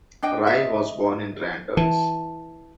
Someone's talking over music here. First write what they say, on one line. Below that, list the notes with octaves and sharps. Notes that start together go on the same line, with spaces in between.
Rye was born in Randers.
D4 D#5 G5
D#5 E5
E3 A5